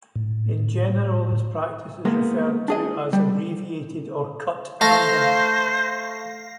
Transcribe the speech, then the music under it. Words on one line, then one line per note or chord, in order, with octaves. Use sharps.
In general, this practice is referred to as abbreviated or "cut" numbers.
A2
G#3 A#3 B3
D4 G#4 D#5
G3
A3 C5 F5 A#6